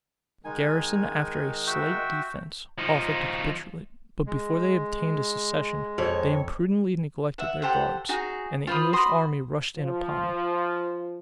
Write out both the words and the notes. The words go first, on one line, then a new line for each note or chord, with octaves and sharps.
The garrison, after a slight defence, offered to capitulate; but before they obtained a cessation, they imprudently neglected their guards; and the English army rushed in upon them.
D#3 G#3 D#4 G#5
F#4 E5 G5
F3 D#4
G#3
F2 C#5
E5 F#5
G4 A4 C5 F#5
D#4 F#4 G#4
F4 C5 B5 D#6
F#4 B5 C6 D#6
F3